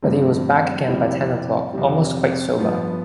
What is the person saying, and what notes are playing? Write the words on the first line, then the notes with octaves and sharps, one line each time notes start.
But he was back again by ten o’clock, almost quite sober.
G2 D3 F3 A3 C4
F2 C3 G3 C4 E4
F2 C3 G3
G2 F3 B3